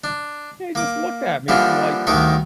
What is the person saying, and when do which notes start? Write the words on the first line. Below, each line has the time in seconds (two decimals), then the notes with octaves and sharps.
Yeah, he just looked at me from, like,
0.04 D4
0.75 A#3 D6
1.48 D3 E3 F3 G3 A#3 D4
2.07 D2 G2 D#3 D#4 A#4